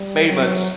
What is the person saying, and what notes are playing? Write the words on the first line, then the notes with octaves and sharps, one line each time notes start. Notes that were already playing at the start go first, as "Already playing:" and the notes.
pretty much
Already playing: G3
F#3